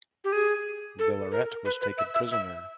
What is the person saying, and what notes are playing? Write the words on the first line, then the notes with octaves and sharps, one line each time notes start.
Villaret was taken prisoner.
G4
G#4
A4
A#4
B4
B4
E5
E5
E5